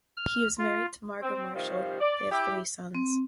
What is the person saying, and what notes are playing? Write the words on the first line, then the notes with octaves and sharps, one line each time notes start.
He is married to Margot Marshall; they have three sons.
F6
F4
C4
C3 D#3 F3 G3 C5 F5
D5
E4 G4
C4